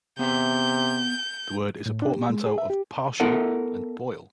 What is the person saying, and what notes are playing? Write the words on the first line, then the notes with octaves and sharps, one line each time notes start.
The word is a portmanteau of partial and boil.
C3 B3 G#4 E5 G6
A2
D4
G4
G#3
G#4
E5
G4
B3 E4 A4 A#4 F#5